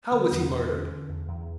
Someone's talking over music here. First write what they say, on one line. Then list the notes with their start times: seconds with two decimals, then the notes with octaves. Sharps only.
How was he murdered?
0.12 D3 B3
0.31 E2
0.44 B3
0.51 E2 C#4
0.70 D3
0.90 D3
1.09 E2
1.28 E2